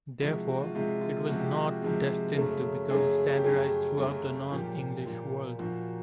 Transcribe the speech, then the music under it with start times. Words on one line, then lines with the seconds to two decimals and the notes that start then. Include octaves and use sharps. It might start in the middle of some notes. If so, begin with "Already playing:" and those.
Therefore, it was not destined to become standardized throughout the non-English world.
0.21 C3 F3 G#3 F#4
0.48 F#4
0.61 F4
0.75 C3 F3 G#3 F4
1.01 F4
1.28 C3 F3 G#3 F#4
1.40 G4
1.51 F#4
1.82 C3 F3 G#3
2.36 F#2 C#3 F#3 A3
2.90 F#2 C#3 F#3 A3 G#4
3.32 G4
3.44 F#2 C#3 F#3 A3 G#4
3.98 F#2 C#3 F#3 A3
4.51 A#2 F3 A#3 G4
5.05 A#2 F3 A#3
5.59 A#2 F3 A#3 F#4